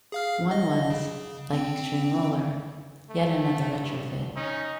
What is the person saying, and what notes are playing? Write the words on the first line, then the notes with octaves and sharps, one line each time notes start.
One was, like "Extremeroller", yet another retrofit.
G#4 F5 F6
D#5
C#3
C4
A3
G2
C#4 D#4